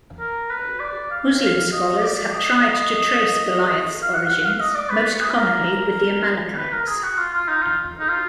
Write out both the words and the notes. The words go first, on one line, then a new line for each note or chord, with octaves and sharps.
Muslim scholars have tried to trace Goliath's origins, most commonly with the Amalekites.
A#4
B4
D5
F5
F5
D#5
D#5
D5
D#5
F5
F#5
F5
F#5
F5
D#5
D5
B4
F#4
G#4
B4
A#4
B4
A#4
G#4
F#4
F4
F4
D#4
F4
D#4
F4